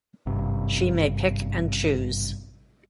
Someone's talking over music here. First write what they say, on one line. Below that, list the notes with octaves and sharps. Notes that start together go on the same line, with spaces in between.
She may pick and choose.
G#1 G2 C3